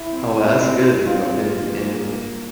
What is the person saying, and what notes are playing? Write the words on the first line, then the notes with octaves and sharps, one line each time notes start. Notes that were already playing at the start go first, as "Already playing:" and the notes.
Oh well, that's good, you know, and and,
Already playing: E4
C4
C4 E4
C4 F4
A#3